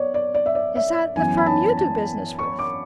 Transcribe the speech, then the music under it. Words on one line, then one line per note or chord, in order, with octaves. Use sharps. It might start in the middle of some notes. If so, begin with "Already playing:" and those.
"Is that the firm you do business with?"
Already playing: B3 C#5 D5
D5
D5
E5
D5
E5
F#2 E3 B3 G#5
B5
A5
A5
C#6
D6